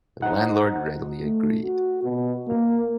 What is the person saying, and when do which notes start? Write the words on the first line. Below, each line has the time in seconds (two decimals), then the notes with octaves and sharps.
The landlord readily agreed.
0.22 D#4 C5 F#5
1.23 A3
1.63 F#4
2.04 B2
2.48 A#3